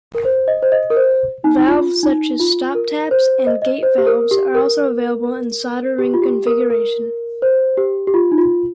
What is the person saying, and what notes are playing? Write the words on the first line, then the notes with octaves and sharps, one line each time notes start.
Valves such as stoptaps and gate valves are also available in solder ring configuration.
A#4
C5
D#5
C5
D#5
A#4
C5
D#4
D#4
F4
D#4
F4
A#4
C5
D#5
D#5
C5
G4
A#4
G4
A#4
G4
F4
G4
A#4
A#4
C5
G4
G4
F4
D#4
F4